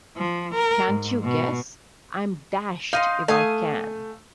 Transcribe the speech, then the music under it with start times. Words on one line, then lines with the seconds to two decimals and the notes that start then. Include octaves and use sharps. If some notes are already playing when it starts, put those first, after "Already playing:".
'Can't you guess?' 'I'm dashed if I can.'
0.17 F3
0.55 A#4
0.87 G#2
1.24 B2
2.93 D#4 D#5 F5 C6
3.28 A3 F5 G#5 D#6